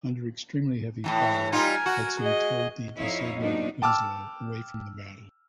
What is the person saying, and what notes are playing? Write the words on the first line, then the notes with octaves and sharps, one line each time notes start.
Under extremely heavy fire, "Hudson" towed the disabled "Winslow" away from the battle.
A2 D#3 E3
G3 D#4 F4 A#4 G#5
F#4
G#4 D#5
F2 D#4 E4 C#5 D#5 F5
B2 F3 F#3 A#3 D4 D#4
G5 A5 D6 E6 F6